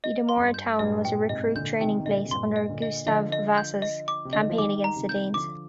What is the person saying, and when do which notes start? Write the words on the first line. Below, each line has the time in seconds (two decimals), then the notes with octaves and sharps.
Hedemora town was a recruit training place under Gustav Vasa's campaign against the Danes.
0.04 D#5
0.29 C6
0.36 F2
0.42 G2
0.54 G6
0.79 G2 A#2 D#5
1.05 G2 A#2 G5
1.29 G#2 C3 D#5
1.55 A#2 D3 G6
1.80 C3 D#3 G5
2.00 D#3
2.06 A#2 D3 D#5
2.25 C3
2.31 G2 A#2 C6
2.56 D#5
2.69 A#2 D3
2.82 D#5
3.06 D3 F3 D#5
3.32 D#5
3.58 G6
3.82 D#5
4.08 D6
4.25 C3
4.33 D3 D#5
4.42 D#3
4.50 F3
4.58 D#3 G3 D6
4.84 A#5
4.96 C3 D#3
5.09 G6
5.34 D3 F3 D6